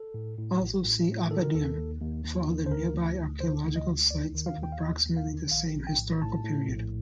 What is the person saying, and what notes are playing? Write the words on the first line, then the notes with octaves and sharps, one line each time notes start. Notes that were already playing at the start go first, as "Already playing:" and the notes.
Also see Oppidium for other nearby archaeological sites of approximately the same historical period.
Already playing: A4
A2
A2
A1
A2
A2
D#3 A4
A#4
D#2 A4
D#2
D#2
D#2
D#3
C5
D2 A#4
D2
D2
D3 C5
D2
D#5
D2
D#2 D5
D#3
F5
D#2
G5
F5
D#2 D#5
D#2
F5
D#3
A#1 F5
A#1
G5
A2
A2 A5
A2
A#1